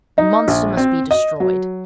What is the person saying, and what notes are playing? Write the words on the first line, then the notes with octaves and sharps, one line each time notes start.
"The monster must be destroyed."
D#4
A#1
C4
D#5
F#3